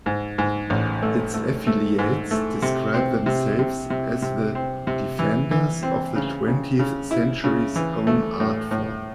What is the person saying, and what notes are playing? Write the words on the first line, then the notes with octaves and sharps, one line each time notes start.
Its affiliates describe themselves as "the defenders of the twentieth century's own art form".
G#2
G#2
A1
A3
A3
A3
G#2
A3
C3
C4
C3
C3
C3
C3
C4
C3
E3
E3
C4
C#3
C#3
C#3
E4
C#3
E3
A3
A2
A2